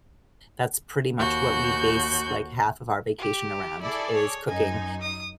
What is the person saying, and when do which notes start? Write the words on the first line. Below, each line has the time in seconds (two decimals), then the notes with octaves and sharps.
that's pretty much what we base, like, half of our vacation around is cooking.
1.17 D#2 F#4 G6
3.19 G4
3.82 E4 G#4 A4 D5
4.14 C#5
4.48 F#2 D#4 G#5
5.02 D#6